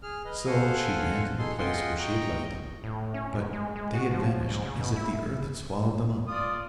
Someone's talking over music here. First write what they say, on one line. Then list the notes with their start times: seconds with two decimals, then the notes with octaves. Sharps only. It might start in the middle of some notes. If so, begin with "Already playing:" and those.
So she ran to the place where she had left them, but they had vanished as if the earth had swallowed them up.
0.03 G#4 F6
0.25 B4 D#5
0.46 A4 C5 F5 F#5 G#5
1.38 D#4 G#4 A4 C6
1.58 F4 G#4 D#5 F#5 G5 C6
1.99 D#5 G5 A#5 C#6
2.84 A2
3.14 C#4
3.33 F#2
3.53 G#3
3.76 G#3
3.94 F#4
4.11 F3
4.48 G#2
4.64 C#3
4.77 B2
4.96 E4
6.28 F4 D5 D#6